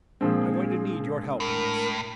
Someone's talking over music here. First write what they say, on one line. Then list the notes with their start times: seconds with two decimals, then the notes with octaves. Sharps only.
I'm going to need your help in this.
0.21 A#2 F3 G#3 C4 D4 G#4
1.40 A2 A#4